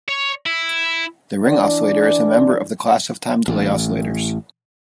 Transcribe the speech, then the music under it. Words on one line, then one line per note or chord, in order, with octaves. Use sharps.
The ring oscillator is a member of the class of time delay oscillators.
C#5
E4
E3 D4 D5
A1